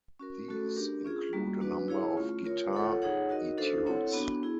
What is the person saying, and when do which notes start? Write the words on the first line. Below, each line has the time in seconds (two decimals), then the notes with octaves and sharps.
These include a number of guitar etudes.
0.19 C#4 F#4 A#4
0.48 A3 C#4 F#4 A4
0.76 D4 G4 A#4
1.05 C#4 F4 G#4
1.33 G3 A#3 C#4 F#4
1.61 D4 F#4 B4
1.88 E4 G#4 C#5 F5
2.17 A3 C#4 F4
2.45 F4 A#4 C#5
2.73 F4 A4 C#5 F#5
3.02 D#4 G#4 C#5 F#5
3.29 D#4 F#4 A#4 D#5
3.57 D4 F#4 A4 C5 F5
3.86 C4 E4 A4 C#5 F#5
4.13 B3 D4 F#4
4.42 B3 E4 G#4